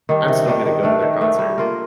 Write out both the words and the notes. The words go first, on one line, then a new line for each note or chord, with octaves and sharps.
I'm still gonna go to their concert."
D#3 G3 D4
C3
D#3 G3 D4
D#3
A3 D4
D#3
A3 D4
G3
A#3 F4 A#4